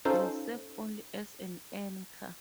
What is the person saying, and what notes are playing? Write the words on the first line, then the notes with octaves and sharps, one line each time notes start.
They serve only as an anchor.
C#4 D#4 F4 A4 C5